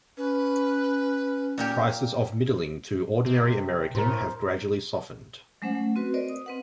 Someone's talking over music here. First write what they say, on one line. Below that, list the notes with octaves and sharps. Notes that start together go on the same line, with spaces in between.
Prices of middling to ordinary American have gradually softened.
C#4 B4
A#2 A#3 G4
C3
A2 A#4 C5
F#3 G#3 A3 C#4 C5 F#5
A3
C4 F#4 B4
A#4 C5 D5 D#5
D#6
C4 B4 F#5